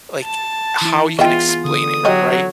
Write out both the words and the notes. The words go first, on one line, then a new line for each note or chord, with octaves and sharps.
like, how you can explain it, right?
A5
E3 E4
E3 B3 F4 G#4 D#5 E5 G5
D3 D#6
F#3 F4 G4 D#5